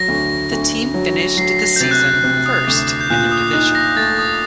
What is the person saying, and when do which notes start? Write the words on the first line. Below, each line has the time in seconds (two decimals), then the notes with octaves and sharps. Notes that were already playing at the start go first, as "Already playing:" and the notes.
The team finished the season first in their division.
Already playing: F#3 A#6
0.08 D2
0.52 D2
0.94 F#3
1.37 F#3 C7
1.59 A#6
1.76 G6
1.80 C3 A6
1.91 F#6
2.02 G6
2.23 C3
2.46 D#6
2.67 D2 D6
2.89 D#6
3.01 G6
3.10 A#2 F#6
3.32 D#6
3.53 D#4 F#6
3.75 A#6
3.96 A3 A6
4.19 D#6